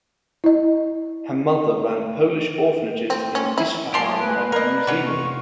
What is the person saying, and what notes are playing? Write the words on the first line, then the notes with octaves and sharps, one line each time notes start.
Her mother ran Polish orphanages in Isfahan and New Zealand.
E4 D#5
C4
C#4
E4
F3 F#3 G#3 G4 G#5 C6
G#3 B4
A#3 A#4 D5 D#5
C3 C#4 F4 F#4
C#6